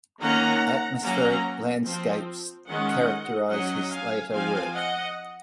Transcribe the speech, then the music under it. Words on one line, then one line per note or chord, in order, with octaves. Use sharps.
Atmospheric landscapes characterize his later work.
D#3 A#3 C#4 F#5 A#5
F#3 A#3 C#4 F#5 A#5
F3 C4
D#3 G#3 C#4 D#5 F#5
F#3 C#4 D#5 F#5
F5 G#5
F3 C4 F5 G#5
D#5 F#5